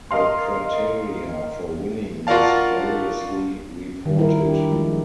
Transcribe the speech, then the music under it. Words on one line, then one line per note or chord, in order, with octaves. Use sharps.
The criteria for winning was variously reported.
A#4 D#5 F5 C6
F4 F#4 A#4 D5 F5 A5
D#3 G3
G3 E4 F4 A#4
D4 G4
F3 G#3 E4